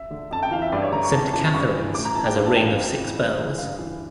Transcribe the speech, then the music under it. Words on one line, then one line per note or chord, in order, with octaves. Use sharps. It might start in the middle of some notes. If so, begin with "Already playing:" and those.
Saint Katharine's has a ring of six bells.
Already playing: E5
D3
F2 A5
G5
E3 F5
E5
G2 D5
C#5
D3 A#5
C#6
E2 A5
C#3 E3 A5
G2 C#6
E3
A2 D6
A#5
E3 A5
G5
G2 F5
A5
E3 G5
F5
F2
C#3 E3
G2
E3
G2 F5
E3